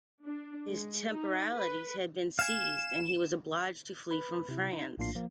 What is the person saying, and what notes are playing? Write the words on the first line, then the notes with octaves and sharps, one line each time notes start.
His temporalities had been seized, and he was obliged to flee from France.
D4
G#3
D#4
B4
F5 G#5 E7
B4 B5
C3 E4
D#4
A#1 A2 A#3 D4 F4 C7
F3 A#3